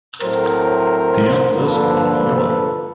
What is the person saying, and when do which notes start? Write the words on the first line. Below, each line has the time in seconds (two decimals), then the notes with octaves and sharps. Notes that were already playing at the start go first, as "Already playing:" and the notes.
The anthers are yellow.
0.22 A2 F#3 A3 C4 A#4 C5
1.52 G2 D3 F3 A#3 A4 B4